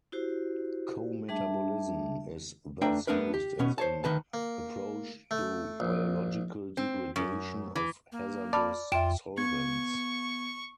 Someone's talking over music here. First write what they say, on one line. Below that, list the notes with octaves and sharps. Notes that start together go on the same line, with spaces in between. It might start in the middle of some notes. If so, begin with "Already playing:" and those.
Co-metabolism is thus used as an approach to biological degradation of hazardous solvents.
E4 F#4 G4 C5
G3 D4 G#4 E5 A5
A3 D4 B4 G5 A#5
A3 B3 D4 A#4 B4
G4
B2 B3 C#4
C5 C#5 A5
D2 D#3 B4 A5
A#3
A3
A#1
C4
F#2
E3
A#3
D5 A5 B5 F6
F2 F4 E5 G5 D7 E7
B3 C#6 G#6